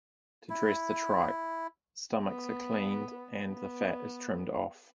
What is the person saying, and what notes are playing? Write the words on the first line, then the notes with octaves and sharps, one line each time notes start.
To dress the tripe, the stomachs are cleaned and the fat trimmed off.
E4
B3
B3